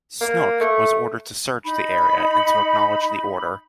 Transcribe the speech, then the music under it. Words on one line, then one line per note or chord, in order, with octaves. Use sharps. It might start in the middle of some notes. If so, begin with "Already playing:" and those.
"Snook" was ordered to search the area and to acknowledge the order.
A#3
A3
D#4 B5